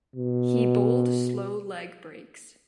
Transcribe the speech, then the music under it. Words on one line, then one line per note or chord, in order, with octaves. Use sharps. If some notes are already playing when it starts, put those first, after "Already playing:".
He bowled slow leg breaks.
B2